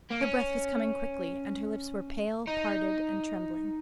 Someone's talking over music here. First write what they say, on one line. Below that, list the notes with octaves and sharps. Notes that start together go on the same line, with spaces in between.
Her breath was coming quickly, and her lips were pale, parted, and trembling.
A#3
C#4
D#4